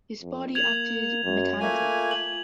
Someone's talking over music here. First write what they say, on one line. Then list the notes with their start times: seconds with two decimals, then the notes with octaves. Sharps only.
His body acted mechanically.
0.22 F2
0.55 A#3 G#6 F7 F#7
1.24 F#2
1.60 A3 A#3 F4 G#5
2.11 F#7